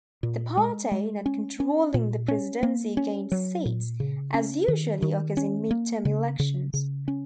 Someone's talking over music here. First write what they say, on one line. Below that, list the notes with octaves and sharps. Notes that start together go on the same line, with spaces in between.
The party not controlling the presidency gained seats, as usually occurs in mid-term elections.
A#2
G#3
G#3
C#4
C#4
A#2
C#4
A#3
C#4
F#3
A#2
C#3
C#4
D#3
D#3
C#4
A#3
C#3
C#3
C#3
C#4